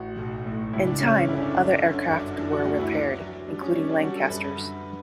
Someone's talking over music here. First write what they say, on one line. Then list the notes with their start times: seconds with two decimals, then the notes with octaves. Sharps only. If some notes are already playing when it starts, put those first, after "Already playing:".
In time other aircraft were repaired, including Lancasters.
Already playing: A1 F#4
0.19 B1
0.46 A2
0.73 C#2 E4
0.87 D4
1.01 C#3 C#4
1.15 D4
1.28 G1 E4
1.37 C#4
1.42 D4
1.56 G1 D4
1.69 D4
1.83 D3 C#4
2.11 F#2 D4
2.38 E3 D4
2.52 F#4
2.65 D2 F#4
2.80 E4
2.93 F#3 D4
3.20 F#3
3.48 G3 D4
3.62 C#4
3.75 G3 D4
3.83 C#4
3.89 D4
4.03 G3 F#4
4.16 A4
4.30 F#2 B4
4.44 B4
4.57 D3